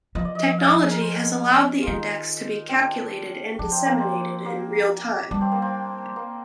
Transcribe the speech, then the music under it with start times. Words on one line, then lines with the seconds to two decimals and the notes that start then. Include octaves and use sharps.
Technology has allowed the index to be calculated and disseminated in real time.
0.15 F3 D#5
0.25 D5
0.35 D#5
0.49 D#5
0.58 F5
0.80 G#4
0.91 A#4
1.01 C5
1.83 D#3 D#4 F4
2.68 C4 D4
3.59 F3 D4
3.71 C4
3.86 A#3
3.99 C4
4.45 A#3
5.31 G3 D4
5.41 C4
5.52 A#3
5.62 C4
6.16 A#3